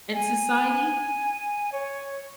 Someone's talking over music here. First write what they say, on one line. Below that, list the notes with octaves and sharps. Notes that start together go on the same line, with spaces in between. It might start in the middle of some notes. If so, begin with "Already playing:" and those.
in society.
G#5
C#5